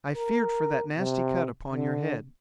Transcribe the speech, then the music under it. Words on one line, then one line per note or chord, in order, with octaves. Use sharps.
"I feared for that nasty cut upon your head."
A#4
C3
D3